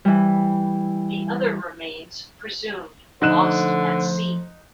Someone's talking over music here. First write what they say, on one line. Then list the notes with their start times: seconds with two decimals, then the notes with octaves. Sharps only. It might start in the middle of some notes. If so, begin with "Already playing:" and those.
The other remains presumed "lost at sea".
0.05 E3 G3
3.22 D3 F3 A3 D#4 C5 F#6 E7